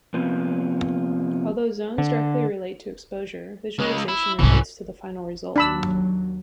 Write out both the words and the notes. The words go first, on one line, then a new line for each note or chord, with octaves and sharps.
Although zones directly relate to exposure, visualization relates to the final result.
C3 F3 A#3 B3
D3
C#2 G#3
E4
C2 G#2 E3 C#4
D#2 F#3 D4 B5 E6